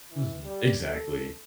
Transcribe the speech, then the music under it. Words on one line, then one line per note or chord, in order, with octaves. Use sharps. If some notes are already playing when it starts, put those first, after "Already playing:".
Mhm. Exactly.
E3
G3
A4